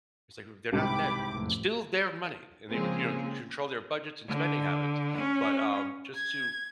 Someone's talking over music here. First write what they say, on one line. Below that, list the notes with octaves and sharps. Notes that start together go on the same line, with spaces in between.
Say who? They're not dead. It's still their money, and they would, you know, control their budgets and spending habits, but, um, just to
C2 G#2 C3 G5 B5 D6
A1 F2
C#3 F3 G#3 A#3 C4 G#4
D3
C#4
G#6